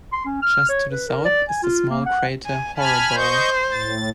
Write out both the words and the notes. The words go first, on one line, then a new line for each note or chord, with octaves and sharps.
Just to the south is the small crater Horrebow.
C6
C#4
F6
C#5
B4
A#4
D5
G#5
F4
A#3
F#5
G#5
G#5 A5 B5 F6
C5 D#5 C#6 G6
A2 A6